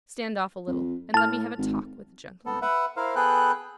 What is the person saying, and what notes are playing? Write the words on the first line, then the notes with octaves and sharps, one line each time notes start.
"Stand off a little, and let me have a talk with the gentleman."
F2
A2 A5 F6
G#1
B3 A4
B4 E5 F#5
E4 A#4 C5 F5
B3 G#4 A4 B4 G5 F#6